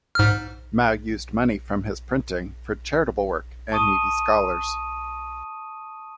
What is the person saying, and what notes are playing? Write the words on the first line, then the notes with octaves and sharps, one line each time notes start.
Mao used money from his printing for charitable work and needy scholars.
G#2 F6
A5 C#6 D#6 D#7